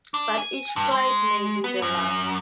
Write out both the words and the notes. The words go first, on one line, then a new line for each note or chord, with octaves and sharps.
But each flight may be the last.
D4
G#5
G2
G#3
B3
F#2